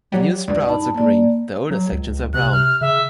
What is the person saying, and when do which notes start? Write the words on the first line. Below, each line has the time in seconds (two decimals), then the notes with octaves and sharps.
The new sprouts are green, the older sections are brown.
0.12 F#3 G3
0.48 C#2 G2 D5
0.68 D#4 A5 B5
0.94 A#3 D5
1.71 F#3
1.92 C#2
2.34 C3 F#6
2.52 F6
2.81 C#3 E5